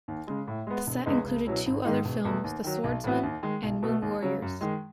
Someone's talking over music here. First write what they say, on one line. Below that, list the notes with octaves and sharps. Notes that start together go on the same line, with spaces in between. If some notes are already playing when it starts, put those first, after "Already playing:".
The set included two other films: "The Swordsman" and "Moon Warriors".
D#2
C#3 G#3
A2
G#3 B3
E1
E2 C#3 G#3 D#4
C#2
B2 F#3 C#4 E4
G#1
G#2 D#3 G#3 D#4
E1
E2 B2 A3
D#2
D#3 F#3
B1
A2 E3 B3 F#4
D#2
D#3 G#3
B1
B2 A3
D#2
C#3 F#3 C#4
F#2
D#3 G#3